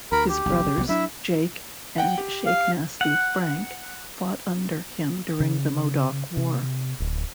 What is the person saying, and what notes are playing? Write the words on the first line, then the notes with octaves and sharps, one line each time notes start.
His brothers, Jake and Shacknasty Frank, fought under him during the Modoc War.
D2 A#4 A#5 B5
G4
F#1 B1
C2 D#3 B3
F#3 D4 E4 E5
F#5 G5
G4
F5
F#5
C#3
C3
D1